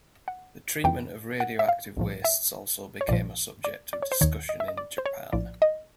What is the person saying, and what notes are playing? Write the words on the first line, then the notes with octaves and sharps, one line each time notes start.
The treatment of radioactive wastes also became a subject of discussion in Japan.
F#5
F2 C#3 E3 G5
F#5
E5
F5
B1 A2 F3
E5
C#5
A#1 A#2 F3 D5
D5
D5
C#5
C5
D#2 D#3 C#5
D#5
E5
D#5
D5
C5
C#5
A#1 A2 F3 D5
D#5